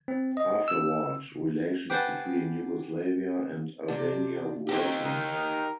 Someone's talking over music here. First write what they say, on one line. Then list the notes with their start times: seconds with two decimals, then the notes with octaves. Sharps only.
Afterward, relations between Yugoslavia and Albania worsened.
0.08 C4
0.37 D#5
0.68 E6
1.90 G4 B4 C5 F#5 G#5 A5
3.88 C3 D4
4.69 C4 D#4 G4
5.05 D#3 A#4